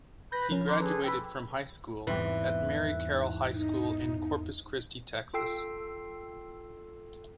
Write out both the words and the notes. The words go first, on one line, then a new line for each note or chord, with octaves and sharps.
He graduated from high school at Mary Carroll High School in Corpus Christi, Texas.
B4 B5 G6 A#6
F3 C#4 A#4
A#5 C6 D6
G#4 A4 B4
B4 G5 B5 E6
E2 G#2 E3 G3 C4 E4
D#4
F4 A4 G5 E6 C7